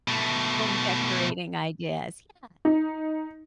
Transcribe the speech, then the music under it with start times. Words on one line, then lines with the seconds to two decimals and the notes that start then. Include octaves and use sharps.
home decorating ideas Yeah,
0.08 B2 A3
2.65 D#4